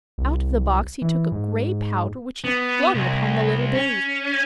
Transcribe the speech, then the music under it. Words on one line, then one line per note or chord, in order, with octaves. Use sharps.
Out of the box he took a gray powder, which he flung upon the little blaze.
C2
E3
G#2
B3
C2
C#4